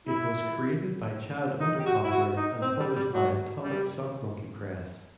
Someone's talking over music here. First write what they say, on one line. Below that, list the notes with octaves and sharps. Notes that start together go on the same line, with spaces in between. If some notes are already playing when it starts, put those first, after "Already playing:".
It was created by Chad Underkoffler and published by Atomic Sock Monkey Press.
E4
D#4
G4
F#4
E4
F#4
D#4
C4
G3
G3
F#3
G3